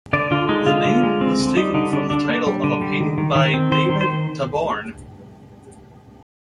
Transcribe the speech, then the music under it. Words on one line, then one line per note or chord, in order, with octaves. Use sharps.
The name was taken from the title of a painting by David Taborn.
D3 D5
D3 F4
G#3 D#4
D3 F4
D3
G#3
C4
D3
G3 D#4
D3 D#4
D3 D4
D3 D4
A#3
G3
D3
G3
D#3
D#3
D#3
C4
D#3 C5
D#3
C5